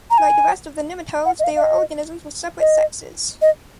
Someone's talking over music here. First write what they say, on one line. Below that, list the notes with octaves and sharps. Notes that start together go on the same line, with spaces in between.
Like the rest of the nematodes, they are organisms with separate sexes.
A#5
G#5
F#5
D#5
F5
F5
D#5
D#5
D#5